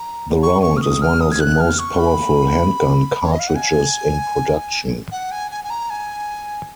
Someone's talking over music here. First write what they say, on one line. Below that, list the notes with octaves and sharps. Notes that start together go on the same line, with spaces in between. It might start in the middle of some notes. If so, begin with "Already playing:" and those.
The round is one of the most powerful handgun cartridges in production.
Already playing: A#5
C#6
C#6
F6
D#6
F6
D#6
G#6
F#6
F6
C#6
B5
C#5
D#5
F5
F#5
G#5
F#5
G#5
G#5
G#5
A#5
G#5